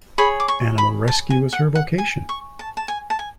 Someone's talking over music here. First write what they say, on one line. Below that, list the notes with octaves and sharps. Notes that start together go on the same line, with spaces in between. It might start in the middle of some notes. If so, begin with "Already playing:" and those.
Animal rescue is her vocation.
G#4 C#5 B5
D6
C#6
B5
A5
G#5
F#5
F#5
G#5
C#6
A5
A5
G#5
A5
G#5